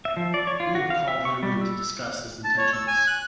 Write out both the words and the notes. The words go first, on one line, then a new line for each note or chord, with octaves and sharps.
We have called him in to discuss his intentions.
E5
F3
D5
C#5
F4
F#4
F5
E5
C#6
G3
E6
A5
C#5
E6
G#5
F#6